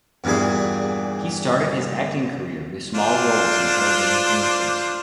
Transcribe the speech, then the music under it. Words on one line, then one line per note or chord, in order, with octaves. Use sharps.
He started his acting career with small roles in television commercials.
E2 G2 A#2 E3 G#4
D4 F4 C5